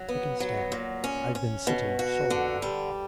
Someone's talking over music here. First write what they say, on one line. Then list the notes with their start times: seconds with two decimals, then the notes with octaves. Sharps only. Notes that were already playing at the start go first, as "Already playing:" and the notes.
I can stand, I've been sitting so long.'
Already playing: F#3
0.09 B3
0.40 F#3
0.72 A#2
1.04 C#4
1.35 C#4
1.67 B2
1.99 F#4
2.30 D3
2.62 G3